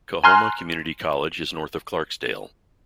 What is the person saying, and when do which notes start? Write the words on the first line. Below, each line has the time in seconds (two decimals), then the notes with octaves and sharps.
Coahoma Community College is north of Clarksdale.
0.24 G#5 A#5 C6 F6 F#6